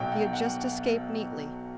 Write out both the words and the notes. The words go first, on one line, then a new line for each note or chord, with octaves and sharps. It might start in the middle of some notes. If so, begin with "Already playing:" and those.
He had just escaped neatly.
Already playing: B1 B2 F#3 G5
F#5
F#5